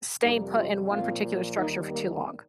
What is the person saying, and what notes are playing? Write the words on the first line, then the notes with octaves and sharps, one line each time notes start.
staying put in one particular structure for too long?
F2 C3 G3 A#3 D#4
C4 F4
A#2 F3 C4 F4
D#2 D#3 G3 A#3 D#4
A#3